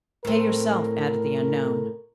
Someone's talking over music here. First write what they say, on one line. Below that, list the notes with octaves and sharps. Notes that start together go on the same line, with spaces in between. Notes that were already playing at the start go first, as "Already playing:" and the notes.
"Pay yourself," added the unknown.
A2 C4 A#4